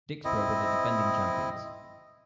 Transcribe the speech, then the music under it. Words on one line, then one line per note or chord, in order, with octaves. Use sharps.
Dicksboro were the defending champions.
C4 E4 D#5